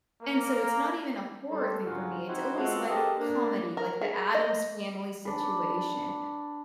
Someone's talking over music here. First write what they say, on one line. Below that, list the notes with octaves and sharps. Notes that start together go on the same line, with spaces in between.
and so it's not even a horror thing for me, it's always like comedy, like the Addams Family situation,
A#3 A#4
G3 A4 C6
G2 C#3 F4 F#4 G#4 A#4
C4 D#4 E4 F#4 B4
G#3 B3 C4 F4 F#4 A4
C4 G4 A4 A#4 D#5
A#3 D4
A#4
G#4
D#5
D4 B4